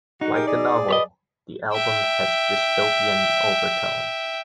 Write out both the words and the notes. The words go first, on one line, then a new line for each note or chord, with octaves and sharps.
Like the novel, the album has dystopian overtones.
D3 D#4 F#4
G4 G#4 A#4
G#4 D5
B4 C#5 D#5
E5 G5